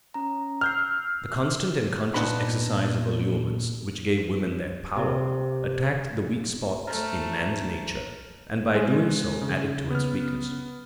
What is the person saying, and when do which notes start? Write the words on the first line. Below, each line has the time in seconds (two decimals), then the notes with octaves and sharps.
The constant and conscious exercise of allurements, which gave women their power, attacked the weak spots in man's nature, and by doing so added to its weakness.
0.14 C#4 A#5
0.61 E6 F6 G6 C7
2.14 A#2 B3 D4 D#4 B5
4.96 C3
6.87 A3 C5 A#5 F6
8.75 G#3
9.42 C#3
9.90 B3 F6